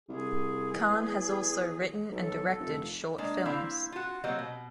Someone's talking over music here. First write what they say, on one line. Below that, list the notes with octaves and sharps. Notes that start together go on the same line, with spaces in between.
Khan has also written and directed short films.
C2 G#4
E2
B1 A4
F1
G#3 A#3 D4
A#3 C4 E4 F5
F4 F#4
F#3 A#3 C4 F#4 G4 D#5
B2